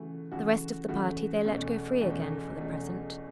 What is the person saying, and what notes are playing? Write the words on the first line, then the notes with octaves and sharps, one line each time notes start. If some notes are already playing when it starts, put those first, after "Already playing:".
The rest of the party they let go free again for the present.
Already playing: C#3 E3 A3 F#4
C#3 E3 A3 F#4
C#3 E3 A3 F#4
E2 B2 A3 C#4
E2 B2 A3 C#4
E2 B2 A3 C#4